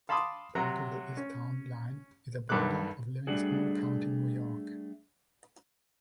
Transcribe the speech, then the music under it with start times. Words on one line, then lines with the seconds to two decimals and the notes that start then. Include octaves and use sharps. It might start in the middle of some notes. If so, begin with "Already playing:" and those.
Part of the east town line is the border of Livingston County, New York.
0.09 F5 A5 B5 C6 D6 D#6
0.55 C3 F#3 A#5
1.17 C#4
2.49 B1 G2 D#3 A4 D6 F#6
3.27 G3 A3 D4 F#4 G#4